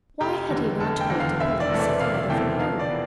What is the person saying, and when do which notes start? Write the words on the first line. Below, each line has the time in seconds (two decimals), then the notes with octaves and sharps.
Why had he not told the police of the letter from Horner?
0.21 F1 G4
0.50 E2 D3
0.80 F1 A4
1.01 G5
1.10 E2 D3
1.20 F5
1.40 E1 E5
1.60 D5
1.69 E2 C3 E3 A3
1.80 D5
2.00 E1 F5
2.29 E2 C3 E3 A3 G5
2.59 F2 F5
2.79 D5
2.89 E3 B3